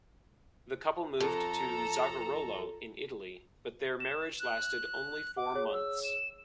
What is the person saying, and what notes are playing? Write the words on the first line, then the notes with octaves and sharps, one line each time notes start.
The couple moved to Zagarolo in Italy but their marriage lasted only four months.
F2 A4 A#5
E7
F#6
F#5 D6
G#4 C#5
E6
E7